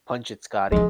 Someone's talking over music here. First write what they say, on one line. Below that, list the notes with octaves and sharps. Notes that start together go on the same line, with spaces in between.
"Punch it, Scotty"
D3 F3 G#3